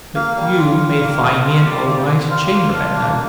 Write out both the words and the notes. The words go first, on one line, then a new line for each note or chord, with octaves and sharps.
But you may find me in O-Mai's chamber at night.
A#3 F5
G3 F5
F4
G3
A#3
G3
F4
G3 D5
A#3 D5
C5
G3
F4 F5
A#3
D4
A#3